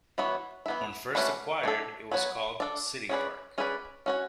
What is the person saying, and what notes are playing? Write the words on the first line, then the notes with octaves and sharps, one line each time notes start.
When first acquired, it was called "City Park".
E3 B3 F#4 C#5
E3 B3 E4
A3 C#4 F#4 B4 D5
A3 D4 A4
F#3 B3 F#4 C#5
D4 A4 D5
C#4 G#4 B4 D5
C#4 G#4 B4 D5
C#4 F#4 C#5